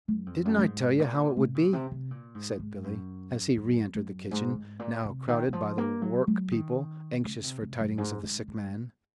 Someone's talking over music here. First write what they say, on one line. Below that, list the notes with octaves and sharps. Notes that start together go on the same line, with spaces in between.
"Didn't I tell you how it would be?" said Billy, as he re-entered the kitchen, now crowded by the workpeople, anxious for tidings of the sick man.
F#2
F2
F#2
A#2
G#2
A#2
C3
A#2
C3
C3
A#2
G#2
G#2
F#2
F#2
F#2
G#2
G#2
A#2
C3
D#3
D#3
F3
A#3
F#3
F#3
D#3
C#3
C3
C3
F#2
G#2
G#2
G#2